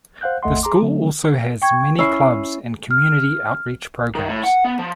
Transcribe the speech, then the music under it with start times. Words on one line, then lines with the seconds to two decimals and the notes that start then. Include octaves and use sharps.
The school also has many clubs and community outreach programs.
0.21 C5 F5 F#5 F#6 G6
0.43 G1 D#2 A3 D#5 F#5 C6
0.63 G#4 A#5 C6 D6
0.81 D3 F#3 A3 C4
1.62 G5 C#6 G#6
1.99 C#4 E4 E6 C7
2.91 F6
4.15 D#3
4.29 A2
4.44 F#5
4.64 B3
4.79 F3